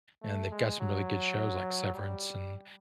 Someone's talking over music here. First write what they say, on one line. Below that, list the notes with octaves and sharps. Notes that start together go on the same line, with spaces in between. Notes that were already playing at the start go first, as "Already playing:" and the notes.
and they've got some really good shows like Severance, and,
A3
G#3
F#3
G3